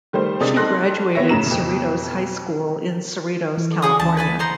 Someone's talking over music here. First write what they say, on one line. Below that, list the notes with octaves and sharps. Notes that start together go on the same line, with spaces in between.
She graduated Cerritos High School in Cerritos, California.
D#3 G3 A3 C5
C3 G#3 D4 G#4 D#6 A6
G3 D#4 A4 C6 F#6 A#6
D#3 B3 B4 C#5 E5 A#6
A2 C#3 A#5 E7
F2 B2
E3
A4 D5
F#4 G#4 D#6
D2 C#3 E3 A5
B4 G#5 A5
B3 C5 A#5